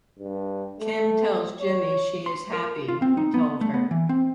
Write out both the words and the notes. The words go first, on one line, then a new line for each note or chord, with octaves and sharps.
Kim tells Jimmy she is happy he told her.
G2
A3
C#5
C6
A#4
F4
C4
D#4
B3
A3
B3
E3
C4